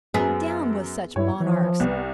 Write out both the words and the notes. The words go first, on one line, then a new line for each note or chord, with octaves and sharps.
Down with such monarchs!
F#2 F#3 B3 G#4
G2 E4 C#5
E3 F3
C2 B3